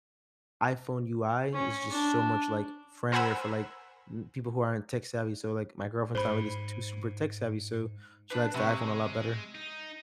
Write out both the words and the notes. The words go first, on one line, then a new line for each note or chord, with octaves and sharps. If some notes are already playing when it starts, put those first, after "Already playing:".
iPhone UI is just so much, like, friendlier for, like, n people who aren't tech-savvy, so, like, my girlfriend's not really too super tech-savvy, so she likes the iPhone a lot better.
C#4
D4
A#4 C5 F#5 G#5 B5 E6
G#2 C5 B5
D4 B4
C3 G#3 B5 C#6
D#4